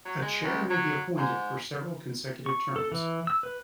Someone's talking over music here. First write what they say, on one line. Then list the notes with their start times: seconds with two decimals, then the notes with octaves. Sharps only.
A chair may be appointed for several consecutive terms.
0.05 F#3
0.22 G#3
0.44 C#2
0.70 F#3
1.17 G#2
2.46 C#6
2.76 A4
2.92 E3
3.27 E6
3.43 B4